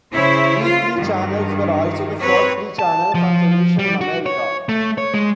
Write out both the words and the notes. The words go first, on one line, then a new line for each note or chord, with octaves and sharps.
These three channels were also the first three channels on Television in America.
C#3 E4 C5 C#5
F4
G2 D#3
C4 B4 C#5
A5
F3
G3
F#4
C#5
A3
C#5
G#3